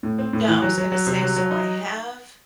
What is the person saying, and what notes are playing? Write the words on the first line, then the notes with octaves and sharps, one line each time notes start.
No, I was gonna say, so I have
A2
C4
A2
E3
F#3
F#3
F#3
C3
F#3
F#3
D#4